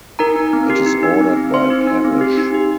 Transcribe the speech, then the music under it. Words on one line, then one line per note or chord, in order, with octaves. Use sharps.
It is ordered by parish.
D#4 A#4 A#5
D#4
C4
G4
D#4
D#4
C4
C4
C4 C5 C6
D#4
D#4
C4
G4
D#4
G4